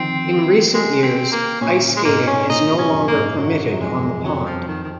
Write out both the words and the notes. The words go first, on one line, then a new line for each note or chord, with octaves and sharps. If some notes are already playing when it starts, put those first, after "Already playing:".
In recent years, ice skating is no longer permitted on the pond.
Already playing: D#3 F3 C4
G#3
C4
A#3
A#2 C#4
G#3
G#2 A#3
C#4
A#2 D#4
C3
C#4
F#2
A#3
G#2
G#2 F#3
F#2
F2 G#3
F2 F#3
F3
D#3
D#3